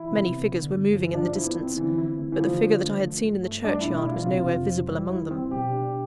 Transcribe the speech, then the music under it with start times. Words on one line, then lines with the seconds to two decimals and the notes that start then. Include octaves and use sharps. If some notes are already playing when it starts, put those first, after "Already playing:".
Many figures were moving in the distance; but the figure that I had seen in the churchyard was nowhere visible among them.
Already playing: E3 E4
0.11 C3
0.32 B3
0.52 D3
0.73 G2
0.93 F3
1.14 F3 D4
1.36 E4
1.46 B3
1.56 C4
1.77 D3 E3
1.98 E4
2.19 A3
2.32 E3
2.39 D3 F3
2.60 D4
2.81 A3
3.01 F3
3.23 G2
3.43 A3
3.64 G3 D4
3.80 E4
3.85 B2
3.95 E4
4.05 D4
4.11 F4
4.26 C3 F4
4.47 F2
4.67 F3
4.88 G3
5.10 E4
5.31 C4
5.51 B2 G4
5.71 D4